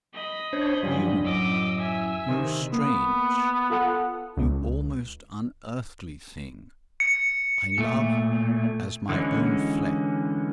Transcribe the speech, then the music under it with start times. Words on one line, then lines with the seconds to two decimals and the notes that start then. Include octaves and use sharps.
You--you strange, you almost unearthly thing!--I love as my own flesh.
0.13 D#5 B5
0.53 D4 C5 C#5
0.83 G2 F#3 G3 C#4 F4
1.25 F#2 A2 D#5 D6 E6
1.78 E5 G#5
2.29 C3 D#3
2.73 A#3 B3
3.70 F4 A4 F#5
4.37 C#2
7.00 C#7
7.78 A#2 A3
9.09 D3 E3 G#3 C#4